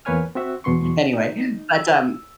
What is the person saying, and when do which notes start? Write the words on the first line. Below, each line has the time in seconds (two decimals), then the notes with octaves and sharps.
Anyway, but, um
0.05 E2 A#3 B4 C#5 G#5 F6
0.35 C4 F#4 E5 F#5
0.64 E2 B2 B3 C6 C#6
1.13 D#4
1.74 E6